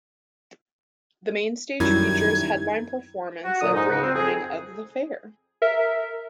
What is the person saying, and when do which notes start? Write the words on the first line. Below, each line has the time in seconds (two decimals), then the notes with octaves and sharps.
The Main Stage features headline performance every evening of the fair.
1.80 F#2 D#3 G3 E4 G#6
3.45 F#4
3.61 A#2 D3 F#3 D#6
3.74 G#2 G#3 D#4
3.89 C#2 G#2 C#3 D#4 F#5
4.03 C4
4.15 F2 G#4
5.62 A#4 E5